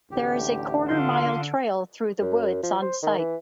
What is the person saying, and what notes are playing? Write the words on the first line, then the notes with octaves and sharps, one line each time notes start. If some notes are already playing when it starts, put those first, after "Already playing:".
There is a quarter-mile trail through the woods on site.
A1 D2 G4
D3 F4 F5 C6
F#2
F3
C5
D#3
E3